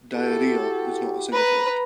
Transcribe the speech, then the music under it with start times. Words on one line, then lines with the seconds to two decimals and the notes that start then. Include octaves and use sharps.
Diarrhea is not a side effect.
0.14 E4 F#4 G4 A4
1.34 B4 A#5